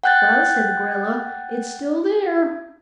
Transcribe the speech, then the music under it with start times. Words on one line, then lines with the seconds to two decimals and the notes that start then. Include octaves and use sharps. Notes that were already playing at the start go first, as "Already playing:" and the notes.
"Well," said the gorilla, "it's still there!"
0.04 F#5 G5 F#6 G6 A6